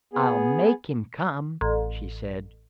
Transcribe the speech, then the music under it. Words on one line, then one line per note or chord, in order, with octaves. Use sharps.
"I'll make him come," she said.
B3 G#4
A1